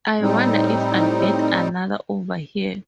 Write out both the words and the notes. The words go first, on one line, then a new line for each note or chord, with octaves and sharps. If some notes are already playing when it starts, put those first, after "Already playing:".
I wonder if I'll get another over here.
A2 G3 C4 D#4